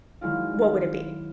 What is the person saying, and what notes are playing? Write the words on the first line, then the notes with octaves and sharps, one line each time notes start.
what would it be?
D#3 F#3 G#3 E4 F4